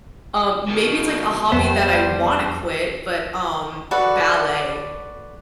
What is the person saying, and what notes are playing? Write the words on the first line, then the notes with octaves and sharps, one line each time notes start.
um, maybe it's, like, a hobby that I wanna quit, but, um, ballet.
B2 D#3
F2 G3 B3 C5
F#4 A4 B4 D5